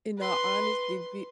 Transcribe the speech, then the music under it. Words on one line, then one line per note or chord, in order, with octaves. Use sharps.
in all honesty, be
B4 C6